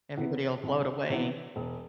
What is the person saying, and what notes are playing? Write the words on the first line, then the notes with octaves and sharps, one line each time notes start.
Everybody'll float away.
C3 E3 B3 E4
C2
C3 E3 B3 E4
E1